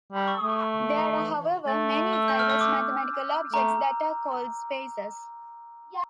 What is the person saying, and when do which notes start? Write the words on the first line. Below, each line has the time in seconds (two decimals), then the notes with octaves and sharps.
There are however, many diverse mathematical objects that are called spaces.
0.12 G3
0.28 C#6
0.44 A3
1.67 A3 A6
2.13 E6
2.28 G6
2.39 F6
2.50 E6
2.61 D6
3.53 A3 A#5